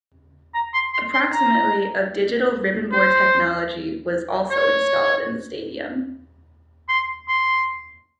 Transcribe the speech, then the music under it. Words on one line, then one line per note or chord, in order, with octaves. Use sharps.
Approximately of digital ribbon board technology was also installed in the stadium.
A#5
C6
C6
C6
A#5
C5
C#5
C6
C6